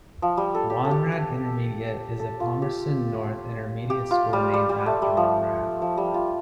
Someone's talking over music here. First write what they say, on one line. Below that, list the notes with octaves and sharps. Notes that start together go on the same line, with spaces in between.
Monrad Intermediate is a Palmerston North intermediate school named after Monrad.
F3
G3
A4
G4
A4
G4
G4
A4
F4
G4
G4
F4
G3
G3
G3
A3
G3
F3
F3
G3
F4